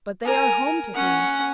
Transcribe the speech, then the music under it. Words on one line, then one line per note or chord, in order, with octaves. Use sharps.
But they are home to him!
A#4 G#5
C#4 F#5